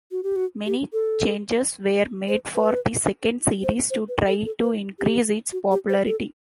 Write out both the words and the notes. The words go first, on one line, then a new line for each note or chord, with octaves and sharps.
Many changes were made for the second series to try to increase its popularity.
F#4
G4
F#4
G4
A4
C5
B4
C5
C5
B4
A4
A4
B4
G4
F#4
G4
C5
A4